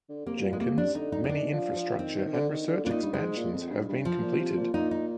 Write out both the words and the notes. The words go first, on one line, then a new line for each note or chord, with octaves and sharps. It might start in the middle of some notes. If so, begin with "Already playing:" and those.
Jenkins, many infrastructure and research expansions have been completed.
D3
C3 A#3
C3
A#2
G#3
C3 A#3
D4
D3 D#4
D#4
D#4
D#3 D4
F3
F3
D#3 C4
D#3
D#3
D3
D#3
D3
A#2 D4
D#4
G2
G2 G#3
G#2
A#2
F2
G2
G2
F3
A#2
C3
A#2
A#2 D#4
D#4